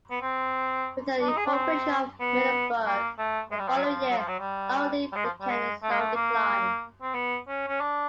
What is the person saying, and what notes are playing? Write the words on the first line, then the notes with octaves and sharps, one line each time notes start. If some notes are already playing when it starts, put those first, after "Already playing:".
With the incorporation of Middleburg the following year, Aldie began a slow decline.
B3
C4
D4
D#4
G#4
D4
C4
B3
A#3
A3
G#3
G3
F3
F#3
F3
F#3
F3
F#3
G3
G3
G#3
F3
G3
G#3
A3
G#3
A3
A#3
C4
B3
C#4
C#4
D4